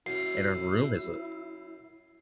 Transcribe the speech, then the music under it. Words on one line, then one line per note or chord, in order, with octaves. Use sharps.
and her room is a
F#2 E4 C7